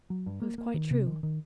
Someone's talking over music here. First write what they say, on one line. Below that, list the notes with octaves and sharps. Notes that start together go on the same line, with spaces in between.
It was quite true.
F#3
G2
A#3
A#3
D#3
C3
D#3
D#3